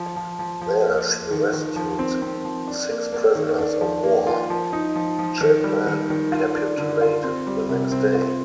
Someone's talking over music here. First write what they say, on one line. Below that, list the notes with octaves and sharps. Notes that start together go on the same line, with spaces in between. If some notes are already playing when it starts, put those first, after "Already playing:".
There she rescued six prisoners of war; Japan capitulated the next day.
Already playing: F3
F3
F3
F3
A#3
A#3
D#3
D#3
F3
C4
C4
F3
D4
A#3
A#3
D#3
D4
F3
A#3
F4
F3
D#4
F3
F3
D#3
G3
D#3
D#3
F4
D4
D3
F4
C4
G3
C3
C4
F4